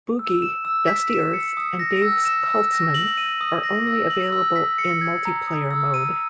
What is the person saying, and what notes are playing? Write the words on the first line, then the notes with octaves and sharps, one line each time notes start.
Boogie, Dusty Earth, and Dave's Cultsmen are only available in multiplayer mode.
E6
E7
E6
B6
E7
C#7
D#6
A#6
E6
E7
E6
A#6
F#7
D#7
D#6
A#6
E6
F#7
E6
B6
C#7
G#6
A#5
D#6
E6
D#7